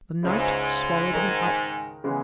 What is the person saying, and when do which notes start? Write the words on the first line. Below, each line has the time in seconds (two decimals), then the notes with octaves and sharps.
The night swallowed him up.
0.23 C#2 G#2 C#3 G#3 C#4 E4
1.13 D#3 G#3 D#4 A#4
2.04 C#3 E3 G#3 B3